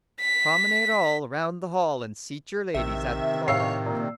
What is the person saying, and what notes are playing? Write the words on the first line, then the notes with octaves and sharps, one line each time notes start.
"Promenade all Around the hall, And seat your ladies at the ball."
B6
A#1 C3 D#3 E5
A2 C#5 F5 E6 C7
A#2